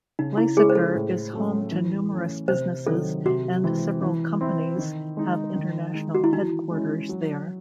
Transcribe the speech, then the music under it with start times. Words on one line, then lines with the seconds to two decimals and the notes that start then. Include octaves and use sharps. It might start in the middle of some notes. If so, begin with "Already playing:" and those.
Lysaker is home to numerous businesses, and several companies have international headquarters there.
0.19 C#3 D#4
0.37 E4
0.57 G#3 C#4 E4 G#4
0.69 C5
0.75 A4
0.95 A2
1.33 F#3 A3 C#4
1.72 E3
2.10 A3 C#4
2.48 C3 C5
2.87 D#3 F#3 C4 A4
3.25 C3 F#4
3.64 E3 G#3 C4
4.02 E3
4.41 C4 E4
4.78 D#3
5.17 G#3 D#4
5.56 D#3
5.94 G#3 D#4
6.15 F#4
6.24 E4
6.33 E3 D#4
6.71 G#3 C#4 E4
7.09 F#3